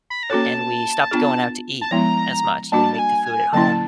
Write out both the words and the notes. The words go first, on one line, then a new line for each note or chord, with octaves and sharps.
and we stopped going out to eat as much, and we'd make the food at home.
B5
A#5
A#3 C#4 F#4 A4 C#5 A5
B3 D4 F4 G#4
A5
F3 G#3 B3 E4 A#5
G3 A#3 D4 F#4 A5
A5
G#5
G#5
D3 F#3 A#3 C#4 E4 A5